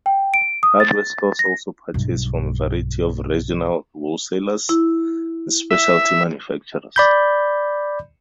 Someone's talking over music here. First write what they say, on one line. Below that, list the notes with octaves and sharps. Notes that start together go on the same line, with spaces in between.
Hardware stores also purchase from a variety of regional wholesalers and specialty manufacturers.
G5
D7
D#6
A6
A#6
B1 G2
E4
E5
D5 B5 G6